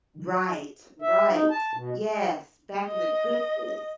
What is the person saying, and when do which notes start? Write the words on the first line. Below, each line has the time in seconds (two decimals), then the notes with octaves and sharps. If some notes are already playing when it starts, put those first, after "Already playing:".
Right, right. Yes, back in the good days.
1.02 E5
1.30 D#4
1.50 A5
1.73 B2
2.87 D#5